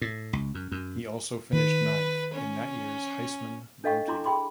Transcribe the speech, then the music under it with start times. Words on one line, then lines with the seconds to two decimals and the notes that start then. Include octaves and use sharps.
He also finished ninth in that year's Heisman voting.
0.01 A2
0.33 C#2
0.55 F#2
0.72 F#2
1.53 D#3 B4
2.34 C#4
3.84 D4 A4 D#5 F5 G5 C#6
4.08 D4 E4 A#5 C6 D6
4.25 G#4 G5 B5 C6 D6